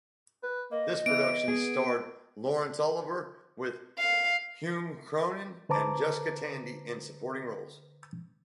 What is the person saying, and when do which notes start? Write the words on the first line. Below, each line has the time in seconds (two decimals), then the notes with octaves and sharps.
This production starred Laurence Olivier, with Hume Cronyn and Jessica Tandy in supporting roles.
0.43 B4
0.71 A#3 D#5
1.06 E3 B3 D7
1.48 B3 G#4
3.99 F5
5.69 D3 B4 C5 A5 A#5 D6